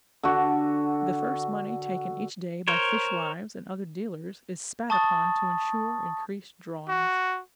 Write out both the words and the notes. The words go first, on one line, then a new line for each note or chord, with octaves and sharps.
The first money taken each day by fishwives and other dealers is spat upon to ensure increased drawings.
D3 F#4
A#4 C5 C#5
A5 C#6 D#6 A6
F#4